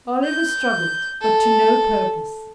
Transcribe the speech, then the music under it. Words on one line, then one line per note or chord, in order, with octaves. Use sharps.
Oliver struggled, but to no purpose.
G6
A4